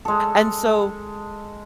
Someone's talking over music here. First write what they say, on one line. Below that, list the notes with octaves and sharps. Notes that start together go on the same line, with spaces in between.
and so,
G#3 A4